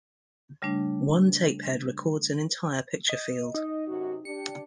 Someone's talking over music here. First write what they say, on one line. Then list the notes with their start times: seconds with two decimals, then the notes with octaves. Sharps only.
One tape head records an entire picture field.
0.62 C#3 G3 A3 D4
3.09 D#5
3.55 D#4 D#5
3.87 F#2 C3 F#4
4.25 D4 G4 C#7